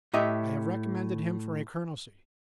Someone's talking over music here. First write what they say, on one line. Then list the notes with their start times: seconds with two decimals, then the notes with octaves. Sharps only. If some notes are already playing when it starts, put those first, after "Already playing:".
I have recommended him for a colonelcy.
0.14 A2 G4 D#5 E5